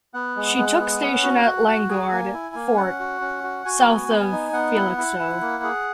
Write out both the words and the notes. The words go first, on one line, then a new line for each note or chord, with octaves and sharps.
She took station at Landguard Fort, South of Felixstowe.
B3 F#5
G#3
G#3
B3
C#4
F#4
F#4
F#4
G#4 G#5
A#3
E4
A#3
C#4 F#5
F#4
C#4
F#4
F#4 G#5
B3
B3
D#4
B3 F#5
E4
E4
E4
A#3
G#4